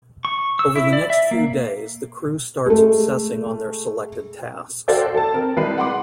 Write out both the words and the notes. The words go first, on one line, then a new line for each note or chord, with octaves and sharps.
Over the next few days the crew starts obsessing on their selected tasks.
C#6
E6
E4
D5
E5
A#3
G#3 A3
F#4 A4 C5 D5 F5 G5
A4 A5
C4 A#4
C2 G#3 B4 C7
F#5 B5 C6 D6